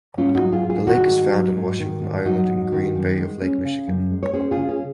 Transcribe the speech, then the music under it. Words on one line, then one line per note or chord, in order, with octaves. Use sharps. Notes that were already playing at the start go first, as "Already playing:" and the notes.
The lake is found on Washington Island in Green Bay of Lake Michigan.
G#2 C#4 F4
D#4 F#4
F#3
F4 G#4
G#2
F4 G#4
D#3 D#4 F#4
G#2
F#3
G#2
D#3
G#2
F#3 D#4 F#4
G#2
D#3
F#2
G#3
C#4
C#3
F#2
G#3
C#5
C#4 G#4 C5
F4 G#4
C#3
C#4